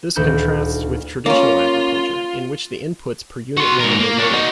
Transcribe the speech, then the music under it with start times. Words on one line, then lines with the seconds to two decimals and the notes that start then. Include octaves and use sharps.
This contrasts with traditional agriculture, in which the inputs per unit land are lower.
0.15 D#1 D2 B5 G6 C#7 E7
1.26 A#3 C#4 F4
3.57 F#4 C6
3.80 G#2 A#4
4.00 A#3
4.19 D4 C#5
4.33 D#4 F#4